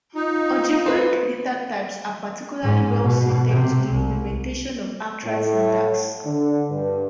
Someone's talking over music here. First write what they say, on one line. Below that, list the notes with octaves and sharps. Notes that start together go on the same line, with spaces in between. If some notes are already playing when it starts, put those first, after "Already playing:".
Algebraic data types are particularly well-suited to the implementation of abstract syntax.
D#4 F4
C4 B4
G#2
B2
C3
C2
A2
D3
G2